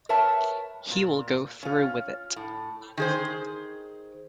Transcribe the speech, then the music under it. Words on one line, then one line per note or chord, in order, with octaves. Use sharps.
He will go through with it.
A#4 B4 C#5 E5 A5
A#2
C#4 F4
A2
D#3 G#4 C5